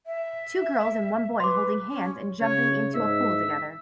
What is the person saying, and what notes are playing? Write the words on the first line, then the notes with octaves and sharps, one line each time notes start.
Two girls and one boy holding hands and jumping into a pool together.
E5
B4 C6 D6
C#4
C#3 C#5
G#2 E5